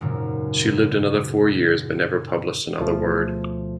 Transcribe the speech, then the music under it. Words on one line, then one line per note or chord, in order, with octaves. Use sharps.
She lived another four years but never published another word.
G#1 F#2 A#2 C#3
D2 B2 F3 A3